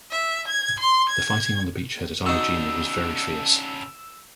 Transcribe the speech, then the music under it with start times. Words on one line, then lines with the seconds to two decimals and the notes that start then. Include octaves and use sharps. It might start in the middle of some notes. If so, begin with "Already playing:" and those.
The fighting on the beachhead at Iwo Jima was very fierce.
0.11 E5
0.48 G#6
0.80 C6
1.09 G#6
2.26 C#3 D4 D#4 F#4 E6